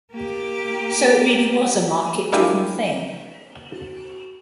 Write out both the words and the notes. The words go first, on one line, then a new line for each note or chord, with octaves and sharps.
So, it really was a market-driven thing.
A#3 G4
G#3 A#3 D4 E4 F4 G4